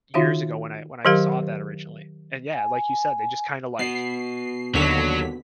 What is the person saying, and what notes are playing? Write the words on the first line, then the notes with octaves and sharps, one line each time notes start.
years ago when I when I saw that originally. And yeah, like you said, they just kinda, like,
D#3 D#4 F4 F#4 E5 F5
D#3 F#3 G4 A#4 F5
G#5
B3 F#4 C7
D#2 D3 F#3 B6